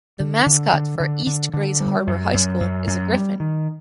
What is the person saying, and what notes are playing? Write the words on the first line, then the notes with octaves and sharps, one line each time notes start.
The mascot for East Grays Harbor High School is a Gryphon.
D3
D3
D3
D3
D3
D3
G3
F#2
F#2
F#2
F#2
G3
D#3